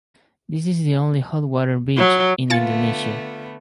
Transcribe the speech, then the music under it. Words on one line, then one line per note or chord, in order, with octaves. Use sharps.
This is the only hot water beach in Indonesia.
F#3
D3 A3 B3 F4 G#5 A6 C#7